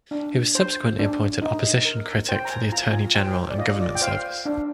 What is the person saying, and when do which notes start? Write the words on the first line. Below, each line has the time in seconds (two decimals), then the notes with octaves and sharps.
He was subsequently appointed opposition critic for the Attorney General and Government Service.
0.11 D4
0.55 C5
0.99 D4
1.42 D#4
1.85 A#4
2.29 C5 G5
2.45 A#5
2.50 G#5
2.72 F4 A#5
2.93 G#5
3.15 C5 G5
3.50 D5
3.58 F4 D#5
3.80 D5
3.95 G5
4.01 C5 F5
4.46 D4